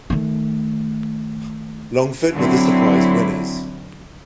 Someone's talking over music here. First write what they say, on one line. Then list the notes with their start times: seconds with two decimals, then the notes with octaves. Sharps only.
Longford were the surprise winners.
0.10 D#3 A3
2.35 D3 F#3 C4 E4